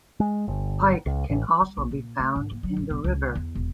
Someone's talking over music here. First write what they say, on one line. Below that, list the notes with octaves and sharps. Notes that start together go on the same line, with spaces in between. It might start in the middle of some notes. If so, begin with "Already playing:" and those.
Pike can also be found in the river.
G#3
G1
C#2
A1
G3
A#1
A#2
A3
G#2
A#3
F#3
A1
B1
C#2
E2
E1